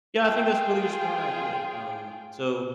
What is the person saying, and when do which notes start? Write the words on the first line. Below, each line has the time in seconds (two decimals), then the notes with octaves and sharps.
yeah, I think that's really a smart idea, um, so,
0.23 F4 G#4 G5